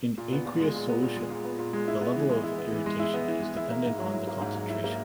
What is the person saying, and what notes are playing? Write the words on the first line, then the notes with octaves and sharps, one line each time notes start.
In aqueous solution, the level of irritation is dependent on the concentration.
A#2
B3
A#2
G#3
A#2
B3
A#2
G#3
A#2
B3
A#2
G#3
E4
B3
E3
G#3
E4
B3
E3
G#3
E4
B3
E3
G#3
E4
A#3
G#2
F#3
E4
A#3
G#2
F#3
E4
A#3